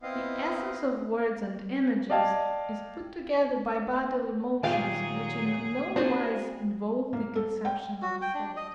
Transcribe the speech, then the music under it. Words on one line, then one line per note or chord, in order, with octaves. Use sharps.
The essence of words and images is put together by bodily motions, which in no wise involve the conception of thought.
B3 C4 E4 D#5 F5
D5 D#5 F5 G5 A5 G#6
A#2 D#3 F#3 F4 G4 G#4 F5 G#5
C4 D4 F#4 G#4 C5
A#3
A4
G5
F#4
G5
D4
D#5